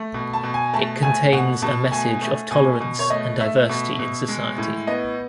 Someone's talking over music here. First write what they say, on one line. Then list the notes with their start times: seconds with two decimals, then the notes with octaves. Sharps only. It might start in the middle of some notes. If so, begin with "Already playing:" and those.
It contains a message of tolerance and diversity in society.
Already playing: A3
0.14 B2
0.33 A5
0.43 B2
0.54 G#5
0.74 A3 A5
1.03 A3 G#5
1.32 B2 F#5
1.62 B2 A5
1.92 A3 G#5
2.21 A3
2.51 B2 G#5
2.80 B2
2.99 C#5
3.10 A3 D#5
3.40 A3 E5
3.69 B2
3.99 B2
4.28 G#3
4.58 A2
4.87 B3 D#5